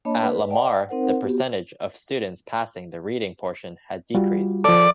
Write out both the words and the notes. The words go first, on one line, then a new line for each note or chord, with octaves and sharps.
At Lamar the percentage of students passing the reading portion had decreased.
A#3 D4 C#5 D#5 A5 B5
B4
D5 D#5 F#5 G5 A5
C4 D#4 A#4 C5 F#5
B3 F#4 G4
G3 F4 F#4
F3 A4 D5